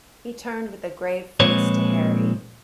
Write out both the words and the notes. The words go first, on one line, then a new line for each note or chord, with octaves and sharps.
He turned with a grave face to Harry.
A#2 F3 G#3 C4 B4 C#5